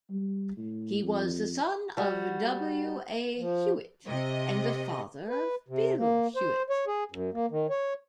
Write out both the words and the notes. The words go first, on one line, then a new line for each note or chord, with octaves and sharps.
He was the son of W. A. Hewitt, and the father of Bill Hewitt.
G3
A2
F2
G3 F#4
F3
C3 D#5
B4
C3
A#3
C5
C#5
G#4
F#2
A#3
D#3
C#5